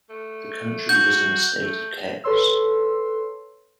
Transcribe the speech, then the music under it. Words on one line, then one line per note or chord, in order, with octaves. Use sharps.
The country was in a state of chaos.
A3
F#4 G6
A3
A4 B4 C#5 C6 E6